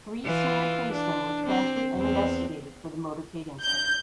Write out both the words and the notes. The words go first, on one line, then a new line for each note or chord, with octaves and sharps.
Three senior policemen were transferred and investigated for the motorcade incident.
E3 F4
D4
C4
E2 C4
G6